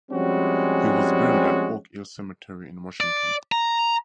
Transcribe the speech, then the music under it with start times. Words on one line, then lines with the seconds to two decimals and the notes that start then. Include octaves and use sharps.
He was buried at Oak Hill Cemetery in Washington.
0.12 F3 G3 G#3 C4 C#4 F#4
3.01 D5
3.52 A#5